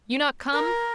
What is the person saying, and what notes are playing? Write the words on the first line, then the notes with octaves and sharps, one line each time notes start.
You not come?
A#4